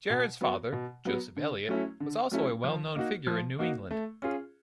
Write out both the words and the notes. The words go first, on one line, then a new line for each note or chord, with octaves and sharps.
Jared's father, Joseph Eliot, was also a well-known figure in New England.
B2
F#3 B3
B2
F#3 B3
D3
F#3 A3 C#4 E4
D3
F#3 A3 C#4 E4
F3
A#3 D#4 F#4
F3
A#3 D#4 F#4
A3
C#4 F4 G#4